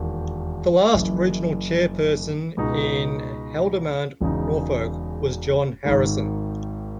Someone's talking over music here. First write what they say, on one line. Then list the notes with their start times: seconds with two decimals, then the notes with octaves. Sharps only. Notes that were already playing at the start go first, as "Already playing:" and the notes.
The last regional chairperson in Haldimand-Norfolk was John Harrison.
Already playing: E1 D#2 D#3
0.94 F#1 F#2 E3
2.57 C#2 B2 G#3 D#4
4.21 E1 E2 C#3 G#3 D#4
5.85 G#1 G#2 D#3